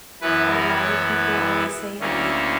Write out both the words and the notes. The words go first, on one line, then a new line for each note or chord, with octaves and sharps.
a lotta people always say, like
F#2 E3 B3 E4 B4
A#4
C#5
D2 D3 A#3 C#4 E4